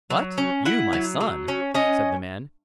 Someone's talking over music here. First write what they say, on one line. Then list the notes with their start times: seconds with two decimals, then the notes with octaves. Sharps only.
'What, you my son!' said the man.
0.10 F#3
0.38 C#4
0.65 E4 F#5
0.93 F#3
1.21 F#3
1.48 C#4
1.75 C#4 D#5